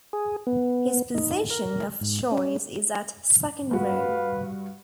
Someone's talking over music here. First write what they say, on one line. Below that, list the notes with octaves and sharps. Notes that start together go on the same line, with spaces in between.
His position of choice is at second row.
G#4
B3
D#4
A#4
G#2
C#4
G2 F#4 B4 F5